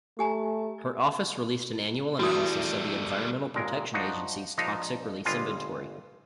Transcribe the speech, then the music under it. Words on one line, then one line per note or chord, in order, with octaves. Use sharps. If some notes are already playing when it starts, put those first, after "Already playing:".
Her office released an annual analysis of the Environmental Protection Agency's Toxic Release Inventory.
A3 G4 G#5 A#5
E2 G3 A3 E4 F#4 D#6
G#1 D#2 A#2 G#3 A#4
F3 D4 D#4 F#4
A#1 F3 D4 D#4 A#5
G1 G3 G#3 F4 F5 G#5